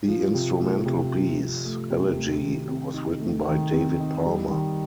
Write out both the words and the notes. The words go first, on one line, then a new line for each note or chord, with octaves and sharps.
The instrumental piece "Elegy" was written by David Palmer.
F3
C3
A3
C3
F3
C3
A3
C3
A3
D#3
C4
D#4
A3
D#3
C4
D#4
G3
D#3